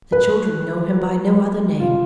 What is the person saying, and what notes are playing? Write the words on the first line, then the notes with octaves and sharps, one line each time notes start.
The children know him by no other name.
B4
F4